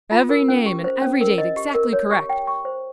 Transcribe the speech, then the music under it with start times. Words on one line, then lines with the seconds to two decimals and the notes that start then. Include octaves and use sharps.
Every name and every date exactly correct.
0.11 F4
0.29 A#4
0.48 C#4
0.66 G4
0.84 C5
1.02 C#4
1.21 A#4
1.38 D#5
1.57 G4
1.74 A#4
1.93 C#5
2.11 G4
2.29 G5
2.47 C#6
2.65 C5